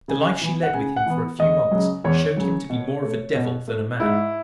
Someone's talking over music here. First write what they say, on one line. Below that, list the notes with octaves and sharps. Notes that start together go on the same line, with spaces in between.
The life she led with him for a few months showed him to be more of a devil than a man.
C#3 G#5
E3 B3
F#5
C#3 G#5
F#5
E3 B3
E2 D#5
C#3 F#3
E2 C#5
C#3 F#3
B2
A3
B2
A3
G#2 E4